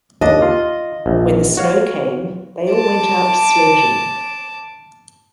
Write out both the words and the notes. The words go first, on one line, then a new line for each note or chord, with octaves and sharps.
When the snow came, they all went out sledging.
D#2 D4 D#5 A5
F4
A#1
F#4 C#5 F5
A5 D6